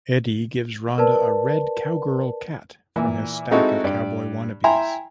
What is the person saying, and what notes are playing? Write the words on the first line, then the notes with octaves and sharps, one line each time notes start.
Eddie gives Rhonda a red cowgirl cat from his stack of cowboy wannabes.
A#4 B4 D5 A5
A#2 E3
G#3 C4 D#4 E4 F#4 A4
G2 D5
E4 E5 G5 G#5 A#5 C6